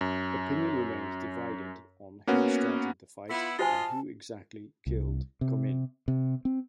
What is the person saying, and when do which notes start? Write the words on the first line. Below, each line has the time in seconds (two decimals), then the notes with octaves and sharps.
Opinion remains divided on who started the fight and who exactly killed Comyn.
0.01 F#2
2.27 A#3 B3 C#4 F#4
3.29 B3 E4 F4
3.59 F4 F#4 C5 D#5 G#5 A5
4.87 C2
5.41 C3
6.08 C3
6.45 C4